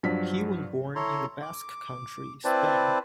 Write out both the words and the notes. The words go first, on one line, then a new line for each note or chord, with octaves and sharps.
He was born in the Basque Country, Spain.
G2 F3 F#3 D5 B6
E4 A4 C#5 A#5 C6
D6
C4 E4 B4 C5 D5 A5